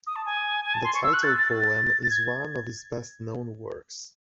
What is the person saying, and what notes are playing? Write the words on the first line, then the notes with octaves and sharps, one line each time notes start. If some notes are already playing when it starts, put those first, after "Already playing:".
The title poem is one of his best known works.
D#6
A5
G#5
G#5
A5
C6
C#6
E6
F#6
A6
A6
A6
A6
G#6